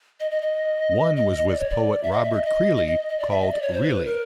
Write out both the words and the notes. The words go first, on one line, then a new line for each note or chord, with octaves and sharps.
One was with poet Robert Creeley called "Really!".
D#5
D#5
D#5
D#5
D#5
D5
C#5
D5
E5
D#5
E5
D#5
D#5
D#5
D#5
D#5
D5
E5
D#5
D5
C#5
C5
B4
C5
B4
A#4